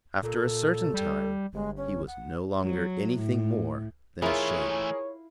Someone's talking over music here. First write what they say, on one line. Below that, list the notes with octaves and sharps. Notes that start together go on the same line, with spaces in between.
After a certain time he was no longer anything more than a shade.
A#2 A4
G3
G1 G#3
C#4
F#5
F#3
A2
E3 A3 E4 F4 G#4 A#4 C#5